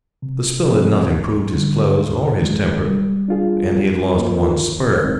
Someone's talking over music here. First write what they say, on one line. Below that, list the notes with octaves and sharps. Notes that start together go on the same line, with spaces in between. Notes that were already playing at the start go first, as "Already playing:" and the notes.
The spill had not improved his clothes or his temper, and he had lost one spur.
C3
F3 C4 G4 A#4
D2
D3 G3
D#2
D#3 G#3
G3
D4 F4 G#4
G2
D#3 A#3 F4 A#4
D#3
G#3 C4 D#4